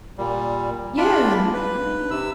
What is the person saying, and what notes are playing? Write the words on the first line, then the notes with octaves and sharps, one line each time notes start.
yeah, I mean
A#2 G3
D4 F4 B5
B4
C3 E6